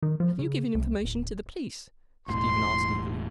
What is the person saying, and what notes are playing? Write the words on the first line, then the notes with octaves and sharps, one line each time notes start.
"Have you given information to the police?" Stephen asked eagerly.
D#3
F3
C#3
C2
D1
E1 A2 C6